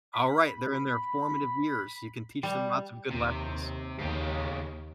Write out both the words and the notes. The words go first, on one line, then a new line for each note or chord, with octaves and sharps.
All right, they're in their formative years, you can teach them lots of good lessons.
B5
G3
D#2 C3
D#2 C#3 G4